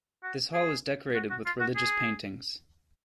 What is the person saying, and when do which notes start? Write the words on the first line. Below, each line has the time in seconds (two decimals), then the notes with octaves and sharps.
This hall is decorated with religious paintings.
0.23 F#4
0.54 G#4
1.15 F#4
1.30 F#4
1.46 F4
1.60 F#4
1.76 G#4